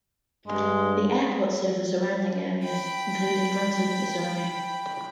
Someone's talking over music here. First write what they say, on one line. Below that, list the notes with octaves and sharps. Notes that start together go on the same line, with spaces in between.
The airport serves the surrounding areas including Branson, Missouri.
G2 G#3
G5 B5